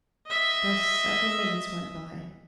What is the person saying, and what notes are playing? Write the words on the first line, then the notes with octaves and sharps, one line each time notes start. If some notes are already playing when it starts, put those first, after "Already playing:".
Thus several minutes went by.
D#5 E5